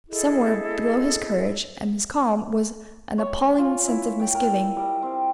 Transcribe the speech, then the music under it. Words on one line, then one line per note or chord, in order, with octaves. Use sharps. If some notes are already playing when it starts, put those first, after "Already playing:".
Somewhere below his courage and his calm was an appalling sense of misgiving.
E4 G#4 A4 D#5
C#5
G#5
F4
E4
G5
A#4
G3
C4